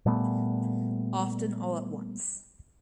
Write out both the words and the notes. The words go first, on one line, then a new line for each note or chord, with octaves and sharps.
Often all at once.
A#2 G3 A3 B3